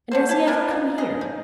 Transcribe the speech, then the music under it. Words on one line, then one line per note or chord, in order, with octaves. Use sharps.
'And does he ever come here?'
D3 C4 C5
E4 A5
D4 A#4 B4 G#5
F4
G#4 D#5
D#4